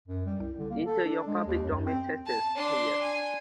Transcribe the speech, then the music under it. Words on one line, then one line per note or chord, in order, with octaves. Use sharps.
Enter your public domain sentence here.
F#2
G3
C2
D3
A#3
A4
D4
G#3
D#2
F#2
C4
A5
D4 C6
G#5